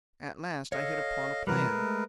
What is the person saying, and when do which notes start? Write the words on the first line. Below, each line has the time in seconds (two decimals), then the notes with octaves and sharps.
At last I hit upon a plan.
0.72 A4 C#5 D#5 F5
1.47 C3 E3 G3 A#4 B4
1.68 G#3 A3